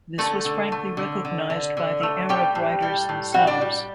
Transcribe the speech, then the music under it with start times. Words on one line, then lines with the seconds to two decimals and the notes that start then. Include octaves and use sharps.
This was frankly recognised by the Arab writers themselves.
0.18 D3 A3 A4
0.45 D3
0.72 A3
0.97 D3
1.25 D3
1.50 D3
1.77 D3
2.03 A3
2.29 G3 G4 G5
2.55 A2
2.82 G3
3.09 A2
3.34 G3 F#4 F#5
3.47 D4 D5
3.61 G3